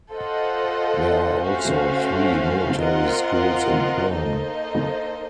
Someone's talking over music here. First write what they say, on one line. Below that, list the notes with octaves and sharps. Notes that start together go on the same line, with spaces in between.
There are also three military schools in Perm.
F4 A4 C5 D#5 F#5
A3 C#4 F#4 C5 F5
C4 F4 A#4 D#5 F#5
A#3 D#4 A4 C5 D#5